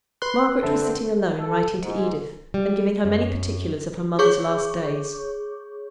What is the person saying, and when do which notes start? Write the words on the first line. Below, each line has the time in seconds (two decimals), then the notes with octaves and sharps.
Margaret was sitting alone, writing to Edith, and giving her many particulars of her mother's last days.
0.22 B4 C6 F#6
0.63 D3 C4 A4 E5
1.38 A4
1.81 G#2
2.54 G3
3.05 F#2
4.19 G#4 C#5 C#6 D6 G6